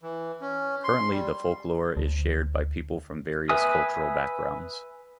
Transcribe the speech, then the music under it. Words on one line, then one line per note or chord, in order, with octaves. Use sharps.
Currently the folklore is shared by people from various cultural backgrounds.
E3
C#4
C6
G3
D2
B4 E5 G#5 D#6